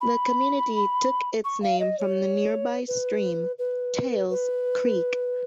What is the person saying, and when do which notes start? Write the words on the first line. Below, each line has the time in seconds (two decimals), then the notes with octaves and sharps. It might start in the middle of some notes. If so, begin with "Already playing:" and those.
The community took its name from the nearby stream Tails Creek.
0.01 B5
1.44 C#6
1.62 F5
1.79 D#5
1.98 C#5
2.88 B4
3.58 B4
4.30 B4